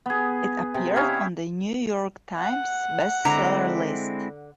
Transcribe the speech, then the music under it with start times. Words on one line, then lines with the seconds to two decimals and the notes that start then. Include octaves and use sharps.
It appeared on "The New York Times" Best seller list.
0.06 B3 G#4
0.74 C3
0.96 C#4 D#4 E4 F5
2.39 F#5
3.25 D3 G#3 C4 E4 A#5